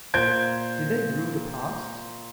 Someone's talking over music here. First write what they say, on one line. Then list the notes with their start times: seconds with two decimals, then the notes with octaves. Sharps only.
Did they rue the past?
0.14 A#2 C5 G6 G#6 D7